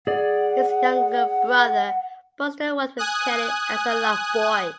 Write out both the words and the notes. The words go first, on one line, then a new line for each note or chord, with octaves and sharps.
His younger brother, Buster, worked with Kelley as a lot boy.
G#4 D5 F#5
G#5 D#6 F#6